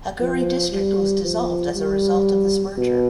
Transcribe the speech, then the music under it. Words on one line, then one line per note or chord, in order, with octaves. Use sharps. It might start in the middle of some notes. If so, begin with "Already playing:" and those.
Haguri District was dissolved as a result of this merger.
F3
G3
F3
G3
B2